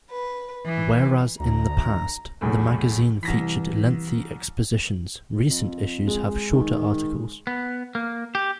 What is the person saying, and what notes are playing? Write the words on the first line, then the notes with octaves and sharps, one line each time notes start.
Whereas in the past, the magazine featured lengthy expositions, recent issues have shorter articles.
B4
E3
D2 A#5
B1 E2 A2
C2 E3 A#6 B6
F2
G#3
D#3
B3
A#3
G4